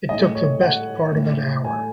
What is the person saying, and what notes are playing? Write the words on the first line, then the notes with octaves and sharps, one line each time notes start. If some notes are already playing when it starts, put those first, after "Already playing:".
It took the best part of an hour.
A2 G#3 D#5
C#5
F#5
A2
G#3
G#5